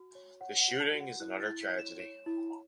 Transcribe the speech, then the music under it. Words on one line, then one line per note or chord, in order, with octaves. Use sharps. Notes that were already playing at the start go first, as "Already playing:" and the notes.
This shooting is another tragedy.
Already playing: F#4
C#5
C#5 F#5
F#5
F#4
A5
F#4
F#5
E4 F#6
A6
E4
B6
C#5
E7
C#5 E7
E4